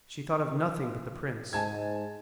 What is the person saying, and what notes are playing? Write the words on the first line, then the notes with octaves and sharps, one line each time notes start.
She thought of nothing but the prince.
G#2 G#5 A5 G#6